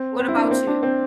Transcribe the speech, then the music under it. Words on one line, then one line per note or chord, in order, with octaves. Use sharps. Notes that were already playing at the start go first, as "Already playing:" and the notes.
What about you?
Already playing: C4
C4
E4
D4
A#3
C4
D4
C4